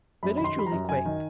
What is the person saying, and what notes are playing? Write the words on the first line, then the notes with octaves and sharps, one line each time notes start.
Spiritually quick.
F#2 B5
D#3 B5
C6
G3 B5
A#5
F#2
F#2 G#5
D#3